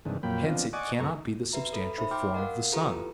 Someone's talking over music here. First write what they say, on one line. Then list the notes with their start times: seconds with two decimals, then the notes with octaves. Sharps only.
Hence it cannot be the substantial form of the sun.
0.05 G2 C3 D#3 E3 G#3 D4
0.23 F2 A#2 F#3 A#3 G5 B5
0.46 F3 B3 C4 D4 F4
0.73 D5 D#5 F#5 G#5 C#6 D6
1.00 F#2 G#3 B3 A4 A#5 C#6
1.13 D#4
1.53 F#4 B4 E5 A#5
1.71 F#4 A4 B5
1.98 D#4 C5 E5 B5
2.11 G5 C6 D6 F6 G6
2.34 A#4 D#5 F5 F#5
2.72 E4 F4 G4 A4 B4 A#5